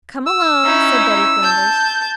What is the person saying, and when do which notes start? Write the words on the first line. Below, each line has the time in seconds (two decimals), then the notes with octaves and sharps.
"Come along," said Betty Flanders.
0.26 E6
0.64 C#4 D#4 E4
1.43 A5 G6